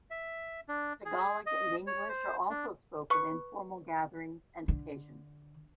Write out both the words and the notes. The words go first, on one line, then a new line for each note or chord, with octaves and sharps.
Tagalog and English are also spoken in formal gatherings and occasions.
E5
D4
G#4
D#5
C#5
C5
D4
B4 C#6
D3